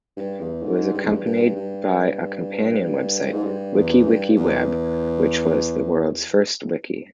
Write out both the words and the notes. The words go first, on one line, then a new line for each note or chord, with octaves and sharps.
It was accompanied by a companion website, WikiWikiWeb, which was the world's first wiki.
G2
E2
G#2
G2
E2
G2
G2
G2
G#2
G2
E2
G2
G2
E2